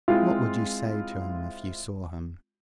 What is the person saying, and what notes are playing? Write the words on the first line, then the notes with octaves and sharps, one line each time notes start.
"What would you say to him if you saw him?"
G#3 C4 E4 F4